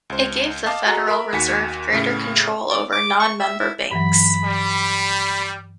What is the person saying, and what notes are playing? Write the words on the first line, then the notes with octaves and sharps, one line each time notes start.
It gave the Federal Reserve greater control over non-member banks.
C#2 C5
D#5 F5 A5 D6
F#4 G#4 A4 D#5 A#5
A#4 E5 B5
D#2 F#4 G#5 B6 C#7
A2 C#3
D5
D6
C#6
E5
E4
G2 E3 F#3 B5
G3